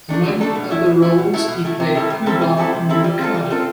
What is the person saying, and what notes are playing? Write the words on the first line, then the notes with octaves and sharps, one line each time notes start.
Among other roles, he played Pooh-Bah in "The Mikado".
A3 D4 A4
D3
A3 D4 A4
B2
A3 E4
B2
A3 E4
B2
A3 E4
B2
A3 E4
C3
G3 C4 E4 A4
C3
G3 C4 E4 A4
C3
G3 C4 E4 A4
C3
G3 C4 E4 A4
G3
C4 F4 A4
G3
C4 F4 A4